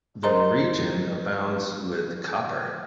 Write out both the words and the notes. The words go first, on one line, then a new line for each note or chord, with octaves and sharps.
The region abounds with copper.
A#4 C5 D#5 A#5 C6